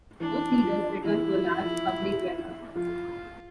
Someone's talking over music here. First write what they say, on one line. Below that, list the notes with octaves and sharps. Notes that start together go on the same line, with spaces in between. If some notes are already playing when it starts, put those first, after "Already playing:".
Both leaders returned to a large public welcome.
E3 D4
F3
E3 E4
F3
F3
F3 F4